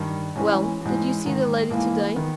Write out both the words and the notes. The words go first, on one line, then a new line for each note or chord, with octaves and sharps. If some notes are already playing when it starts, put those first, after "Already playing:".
Well, did you see the lady to-day?
Already playing: G2 D#3
G#2 E3 C#4
G#2 E3
G#2 D#3
G#2 E3 A#3
D#3 B3